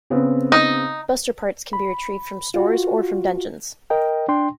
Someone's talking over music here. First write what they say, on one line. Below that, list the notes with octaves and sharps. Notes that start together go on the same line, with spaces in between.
Buster Parts can be retrieved from stores or from dungeons.
C#3 B3 C4
D#4
B5
F4 F#4
A#4 D#5 G5
D4 G5 C6